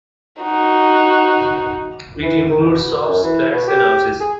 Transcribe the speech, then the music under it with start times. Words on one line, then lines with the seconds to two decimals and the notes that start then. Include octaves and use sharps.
It includes shops, flats and houses.
0.41 D#4 F#4
2.22 E3
2.50 D#3
2.64 B2
3.07 F#2
3.23 E3
3.52 B2
3.68 G4
4.20 G#4